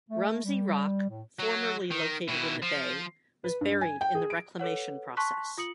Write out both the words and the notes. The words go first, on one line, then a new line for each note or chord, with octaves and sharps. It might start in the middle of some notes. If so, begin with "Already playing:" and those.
Rumsey Rock, formerly located in the bay, was buried in the reclamation process.
A3
G3
A2
F#3
D#3
B2 E4
F3
B4
G2
G#5
G5
G#4
D7
A4 B4 C#5 F#5
A5 C6 C#6 F#6 B6
F4 D#6 C#7 F#7